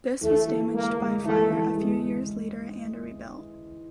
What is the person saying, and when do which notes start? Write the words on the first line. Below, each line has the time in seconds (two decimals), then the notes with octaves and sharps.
This was damaged by fire a few years later and rebuilt.
0.21 E3 A3
0.47 E3
0.73 G#3 A#3
0.99 G#3
1.24 E3 A3
1.50 E3
1.76 G#3